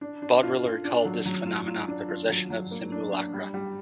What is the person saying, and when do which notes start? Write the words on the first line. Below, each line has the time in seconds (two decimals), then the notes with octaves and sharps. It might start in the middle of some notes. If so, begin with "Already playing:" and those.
Baudrillard called this phenomenon the "precession of simulacra".
0.01 D4
0.22 D4
0.43 F4
0.63 F4
0.84 D4
1.05 F#3
1.26 F#3
1.46 F4
1.67 F4
1.88 D4
2.09 F4
2.29 F#3
2.50 F#3
2.71 A#3
2.92 D4
3.12 D4
3.33 G3
3.54 G3